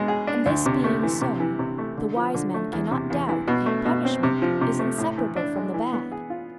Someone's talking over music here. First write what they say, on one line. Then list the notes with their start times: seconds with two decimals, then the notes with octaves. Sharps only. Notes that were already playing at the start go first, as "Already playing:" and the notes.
And this being so, the wise man cannot doubt that punishment is inseparable from the bad.
Already playing: B2 G#3
0.08 G#4
0.27 D4
0.46 D2
0.66 C3
0.84 A3
1.03 E3
1.21 C3
1.40 E3
1.59 C3
1.78 A3
1.97 D3
2.16 F3
2.34 D3
2.54 A3
2.73 E2
2.91 C3
3.10 E2
3.29 E3
3.48 B2
3.66 A3
3.85 B2
4.05 C4
4.23 C3
4.42 F3
4.61 C3
4.79 A3
4.98 A2
5.18 E3
5.36 D4
5.55 G#3
5.74 E3
5.93 B3
6.12 G#4
6.30 F4